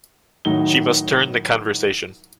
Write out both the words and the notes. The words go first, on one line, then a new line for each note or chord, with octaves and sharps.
She must turn the conversation.
A2 D#3 F#3 D#4 G7